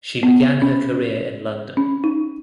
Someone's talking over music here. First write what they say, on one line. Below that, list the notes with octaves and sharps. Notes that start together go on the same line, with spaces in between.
She began her career in London.
B3
C#4
C#4
D#4